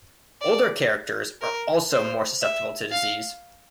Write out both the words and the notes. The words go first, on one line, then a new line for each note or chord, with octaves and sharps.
Older characters are also more susceptible to disease.
D5
A#4
C5
E5
F5